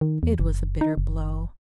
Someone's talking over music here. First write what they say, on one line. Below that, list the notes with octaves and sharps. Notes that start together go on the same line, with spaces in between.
It was a bitter blow.
D#3
E2
F#1
D#4
F#1